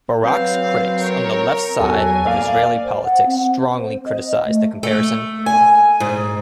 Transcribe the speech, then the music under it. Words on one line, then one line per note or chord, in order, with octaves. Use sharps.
Barak's critics on the left side of Israeli politics strongly criticised the comparison.
F#3 C4 B4 F5
A#4 C#5
E2 F#3 A4 G#5
A#3 D5 F5
C5
F#5
C4
C5
D#5
A3
A3
G#5
G#2